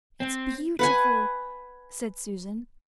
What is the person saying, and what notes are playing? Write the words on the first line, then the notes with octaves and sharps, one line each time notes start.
"It's beautiful," said Susan.
C4
B4 F#5 G#5